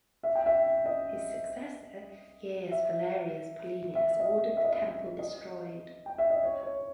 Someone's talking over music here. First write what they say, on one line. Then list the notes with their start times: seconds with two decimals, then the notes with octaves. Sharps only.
His successor Gaius Valerius Paulinus ordered the temple destroyed.
0.23 E5
0.35 G5
0.46 E5
0.85 D#5
2.72 E5
3.95 E5
4.20 D#5
4.26 E5
4.57 E5
4.64 D#5
4.73 E5
5.19 D#5
6.06 G5
6.18 E5
6.30 D#5
6.43 C#5
6.63 C#5